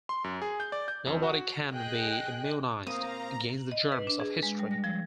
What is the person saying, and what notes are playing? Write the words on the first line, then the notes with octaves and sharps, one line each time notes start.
Nobody can be immunized against the germs of history.
C6
F#2
G#4
G6
D5
G6
F2
F#4
G#4 D#5 G5 F#6
A#2 A#3 C4 A#4 C5 F5 A#5 D#6
D#5
B4
D4
G#4
G#3
G3
A#6
F3